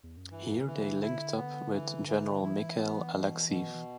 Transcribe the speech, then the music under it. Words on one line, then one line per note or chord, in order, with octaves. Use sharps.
Here they linked up with General Mikhail Alekseev.
E2
F#2
G2 E3
C3
D3 E3
E4
B3
E3
E3
E3 E4
B3
B2
B2
E3